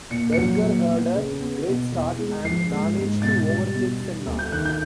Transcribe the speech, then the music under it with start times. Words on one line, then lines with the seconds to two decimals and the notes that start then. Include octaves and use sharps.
Berger had a great start and managed to overtake Senna.
0.11 A#2 C#7
0.33 F#3 C#7
0.63 A#2
0.89 B3
1.15 C#3
1.40 B3
1.67 B2
1.92 E2
2.19 G#3
2.44 F3 C7
2.71 G#2
2.97 G#2
3.22 B2 A6
3.49 G3
3.75 B2
4.01 G3
4.26 D2
4.39 G6
4.52 D#3 F#6
4.65 G6